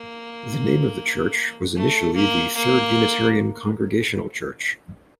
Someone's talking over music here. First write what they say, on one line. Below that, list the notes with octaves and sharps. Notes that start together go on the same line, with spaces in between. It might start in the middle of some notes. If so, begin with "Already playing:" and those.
The name of the church was initially the Third Unitarian Congregational Church.
Already playing: A#3
A3
A#3
A#3